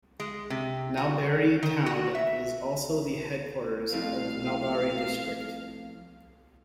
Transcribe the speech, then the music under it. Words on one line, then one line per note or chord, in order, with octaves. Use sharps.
Nalbari town is also the headquarters of Nalbari District.
G#3
C3
F#4
D#3
F#4
E5
F2 A2 F5